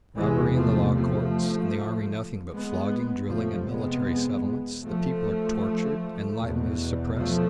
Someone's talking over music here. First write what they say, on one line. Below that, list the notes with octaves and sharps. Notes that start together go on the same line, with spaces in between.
Robbery in the law courts, in the army nothing but flogging, drilling, and Military Settlements; the people are tortured, enlightenment is suppressed.
E2 C3 E3 G#3
F3 A3
F3 A3
G#3 B3
F2 C3 F3 A3
G#3 B3
F3 A3
E2 B2
F3 A3